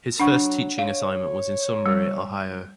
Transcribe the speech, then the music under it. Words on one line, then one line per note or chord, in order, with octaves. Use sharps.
His first teaching assignment was in Sunbury, Ohio.
F#3 D4 F#5 C#6
C#5 F5
G3